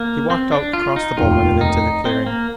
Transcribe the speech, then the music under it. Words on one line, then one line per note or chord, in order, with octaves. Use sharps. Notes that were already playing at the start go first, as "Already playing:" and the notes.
He walked out across the boma and into the clearing.
Already playing: A#3
C4
D4
F4
D#4
F1 D#2 D#3 F4
D#4
C4
A#3